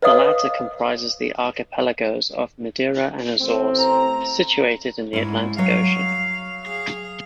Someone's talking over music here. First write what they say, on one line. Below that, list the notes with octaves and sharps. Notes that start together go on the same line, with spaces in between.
The latter comprises the archipelagos of Madeira and Azores, situated in the Atlantic Ocean.
B4 C#5 D#5 F5 D#6
A1 A3 C4
A#5
G#2 C#4 E4
F#3 C#5 F5
G#4 F5